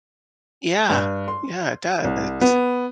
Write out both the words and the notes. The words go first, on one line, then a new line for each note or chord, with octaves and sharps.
Yeah. Yeah, it does.
G2
C6
C2
B3